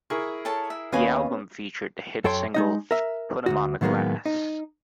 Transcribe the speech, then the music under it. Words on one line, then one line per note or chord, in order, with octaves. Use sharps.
The album featured the hit single Put 'Em On The Glass.
E4 G#4 A#4 C#6
A4 C#5 A5
E5
D#2 B3 C#4 D#5 F5 G#5
F#2 A4 C#5 G5 C6
G#3 D#4 D#5
A#4 E5
D2 A#2 F#4
A2 D#3 F#3 G#3 A#3 B3
D#4